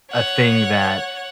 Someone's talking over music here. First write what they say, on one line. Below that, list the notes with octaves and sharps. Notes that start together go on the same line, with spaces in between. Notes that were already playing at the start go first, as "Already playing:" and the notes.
a thing that
C#5 F#5